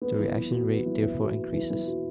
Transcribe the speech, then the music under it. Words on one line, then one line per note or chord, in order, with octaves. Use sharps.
The reaction rate therefore increases.
B3
E3
E3
F#4
B3
E3
E3
F#4
B3
E3
E3
F#4